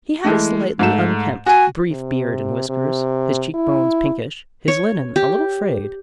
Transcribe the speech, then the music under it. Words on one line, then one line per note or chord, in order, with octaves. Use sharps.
He had a slightly unkempt, brief beard and whiskers, his cheek-bones pinkish, his linen a little frayed.
E3 G#3 A3
G#2 A3 E7
F#4 G#5
C3
C3
E4
C#5
G4